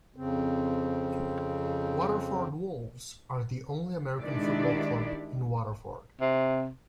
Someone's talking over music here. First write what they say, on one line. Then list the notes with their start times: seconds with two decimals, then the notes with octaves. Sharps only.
Waterford Wolves are the only American football club in Waterford.
0.16 F2 C#3 C4
4.21 D#3 G#3 D4 E4 G4 D5
6.21 C3